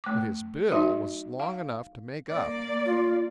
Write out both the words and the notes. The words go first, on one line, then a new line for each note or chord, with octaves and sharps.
But his bill was long enough to make up.
A3 D6
F#3 D#4 F#4 E5
F5
A#3 D5
F4